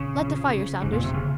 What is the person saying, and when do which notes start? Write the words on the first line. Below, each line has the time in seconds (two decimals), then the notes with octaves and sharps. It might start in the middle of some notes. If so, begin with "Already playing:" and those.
Light the fire, Saunders.
Already playing: A#1 C#3
0.21 F3
0.52 C3
0.82 F1 G#2
0.93 A#2
1.04 C3
1.14 C#3